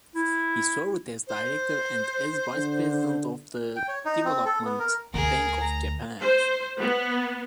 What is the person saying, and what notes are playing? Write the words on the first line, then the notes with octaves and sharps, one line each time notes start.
He served as Director and as Vice President of the Development Bank of Japan.
E4
C5
D3
G5
C#5
D#4
C4
A4
B3
A#4
D2 G#4 A#4
A#5
C5
B3